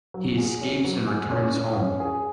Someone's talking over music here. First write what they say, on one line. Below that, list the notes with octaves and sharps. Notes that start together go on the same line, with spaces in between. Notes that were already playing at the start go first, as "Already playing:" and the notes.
He escapes and returns home.
F#3
G#4
C#4
F#3
G#4
C#4
C#4
C#4
G#4